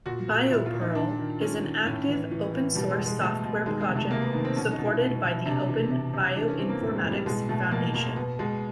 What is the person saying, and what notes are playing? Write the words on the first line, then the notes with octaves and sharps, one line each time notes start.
BioPerl is an active open source software project supported by the Open Bioinformatics Foundation.
A#2 F#4
A#2
A#2 E4
F4
A#2
D#4
D#3 D4
D#3
D#3 C#4
D#3
A2 C#4
E3
E3
E3
B2 G3
G#3
B2
G#3
B2 A3
B2
D#3 G#3
G#3
C3
A3
C3 A#3
B3
D#3 B3
C4
B2 C#4
D#4
B2
E4
B2
B2
C3 D4
E3
C3
C3
E3 D4
C#4
E3 C4
A#3
A2
G#3
A2
G3
B2 G#3
B2 A3
B2 A#3
B2 A#3
B2 B3
B2 G#3